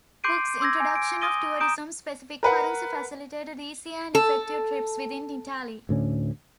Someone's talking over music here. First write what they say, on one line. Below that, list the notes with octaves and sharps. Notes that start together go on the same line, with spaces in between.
Cook's introduction of tourism-specific currency facilitated easier and effective trips within Italy.
C6 D6 G6 C7 D7 D#7
C6 D6 E6 G6 G#6 A#6
G#5
D7
D#6 A#6 D#7 G7
A#5 D#6 G6 D7 E7
A#4 B4 F#5
A4
D2 A2 D3 C#4